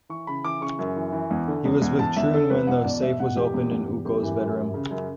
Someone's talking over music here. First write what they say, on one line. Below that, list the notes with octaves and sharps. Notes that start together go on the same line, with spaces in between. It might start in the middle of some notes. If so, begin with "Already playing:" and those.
He was with Troon when the safe was opened in Ouko's bedroom.
E3 C#6
C#3 B5
E3 D6
C#3 C#6
F#2
E3
E3
E2
D3
E2
E2
E2 A5
E2 E5
D3 A4
E2 B4
E2 F#5
B2 D5
E2 E5
B2 F#5
E2 G4
E2
E2
E2
F#2 G4
E3
F#2
E3
C#3
F#2